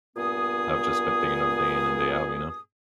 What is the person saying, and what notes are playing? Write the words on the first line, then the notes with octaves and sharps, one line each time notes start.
I've just been thinking of day in and day out, you know?
G2 A#2 B3 G#4 D#6